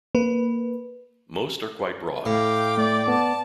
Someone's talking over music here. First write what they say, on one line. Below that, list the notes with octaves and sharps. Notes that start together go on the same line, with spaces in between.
Most are quite broad.
A#3 B4
A2 F5 G5 D6
A3 D5
B3 A5